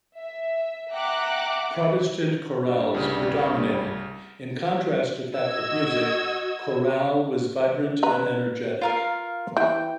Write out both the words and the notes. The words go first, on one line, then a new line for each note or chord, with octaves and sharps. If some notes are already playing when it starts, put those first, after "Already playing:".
Protestant chorales predominated; in contrast to Catholic music, chorale was vibrant and energetic.
E5
E5 F#5 G5 A#5 D6 F#6
G2 G3
C2 C#3
F#4 D#5 E6 G#6
B4 A#5
F4 A#4 F5
E3 G5